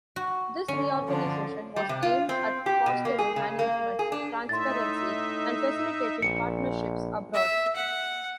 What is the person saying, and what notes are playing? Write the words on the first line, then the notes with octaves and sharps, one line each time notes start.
This reorganization was aimed at fostering management transparency and facilitating partnerships abroad.
F#4
D3 C#4
D3 F3 D4
G3
C3
F4
C4
G4
B2
A#3
G#4
C#3
A#3
G#4
D4
A2 D#4 E5 C6 A6
A#1 C#7
E5
F#5